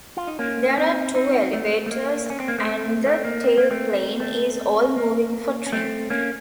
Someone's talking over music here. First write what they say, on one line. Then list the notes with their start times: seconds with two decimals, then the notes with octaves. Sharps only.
There are two elevators and the tailplane is all-moving for trim.
0.17 F4
0.27 D#4
0.39 A#3 C#4
0.77 C4 D#4
1.15 C4 D#4
1.53 A3
1.86 A3
1.91 A#3
2.30 C#4
2.40 C4
2.48 A#3
2.58 A3 C4
3.06 A3 C4
3.25 A#3
3.44 C4
3.58 A#3
3.71 A3 C4
4.20 A3 C4
4.96 A#3
5.66 C#4
5.72 A3 C4
6.10 A#3 C#4